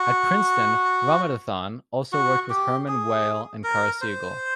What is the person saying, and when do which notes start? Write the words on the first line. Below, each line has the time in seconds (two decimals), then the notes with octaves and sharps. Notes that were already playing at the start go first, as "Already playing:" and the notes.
At Princeton, Ramanathan also worked with Hermann Weyl and Carl Siegel.
Already playing: F#4
2.13 F#4
2.50 G4
2.88 G#4
3.64 A#4
4.01 C5